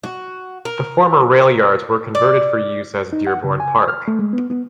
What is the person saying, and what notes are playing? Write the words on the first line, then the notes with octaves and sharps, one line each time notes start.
The former rail yards were converted for use as Dearborn Park.
F#4
A#4
D5
D#4
F#5
C#3
G#5
F6
A3
G#3
B3
B3